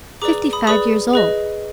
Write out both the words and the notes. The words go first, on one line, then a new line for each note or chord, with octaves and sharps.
"Fifty-five years old."
G#4 B4 D5 A#5 D6
B5 D#6
G#4 B4 D5 B5 D#6
G#4 B4 D#5